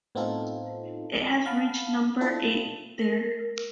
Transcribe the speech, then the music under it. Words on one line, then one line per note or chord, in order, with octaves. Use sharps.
It has reached number eight there.
A2 B3 C4 D#4 F4 A4
F5 F#5 A5 B5
C4 D4 E4 F4 A4 B4
A#4